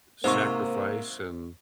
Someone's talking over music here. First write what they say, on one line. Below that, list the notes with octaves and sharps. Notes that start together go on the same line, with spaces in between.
sacrifice and
G#2 C3 A#3 C5 C#6